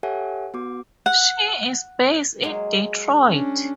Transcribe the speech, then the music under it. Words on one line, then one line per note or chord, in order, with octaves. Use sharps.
She is based in Detroit.
G4 A4 C#5 E5 F#5 G#5
B3 F#4 D6
F#5
F#3 G#3 A#3
C#4 D4